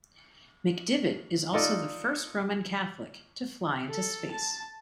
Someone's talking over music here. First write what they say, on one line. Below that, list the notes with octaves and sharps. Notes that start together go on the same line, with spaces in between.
McDivitt is also the first Roman Catholic to fly into space.
D#4 F4 A4 D5 D#5
A4
A5